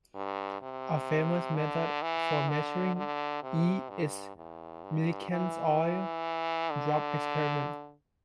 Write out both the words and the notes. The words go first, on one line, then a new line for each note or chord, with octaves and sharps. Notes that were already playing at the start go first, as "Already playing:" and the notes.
A famous method for measuring "e" is Millikan's oil-drop experiment.
G2
C3
D3
E3
D3
D3
C3
G2
E2
G2
E3
D3